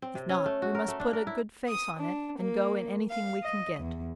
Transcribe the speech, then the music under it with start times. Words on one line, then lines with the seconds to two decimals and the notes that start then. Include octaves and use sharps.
If not we must put a good face on it and go in anything we can get.
0.02 C4
0.15 C3
0.29 C#4
0.46 A3
0.62 F#4
0.75 A#4
0.88 A3
1.00 D4
1.13 A#4
1.27 E4
1.68 D#6
2.00 D4
2.39 A#3
3.11 F5
3.43 D#5
3.81 E2